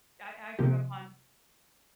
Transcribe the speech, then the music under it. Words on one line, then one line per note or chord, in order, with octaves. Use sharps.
I I grew up on
C3 F3 A#3 G4